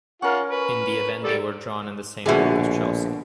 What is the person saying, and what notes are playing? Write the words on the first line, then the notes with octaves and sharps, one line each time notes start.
In the event they were drawn in the same group as Chelsea.
C#4 F4 A#4 F#5
B4
G3 A4 D5
A#1 B2 D3 G#4 E5